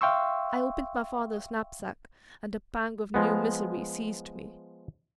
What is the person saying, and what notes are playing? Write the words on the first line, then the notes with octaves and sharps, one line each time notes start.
I opened my father's knapsack, and a pang of new misery seized me.
E5 F5 G5 C6 C#6 E6
F3 G#3 B3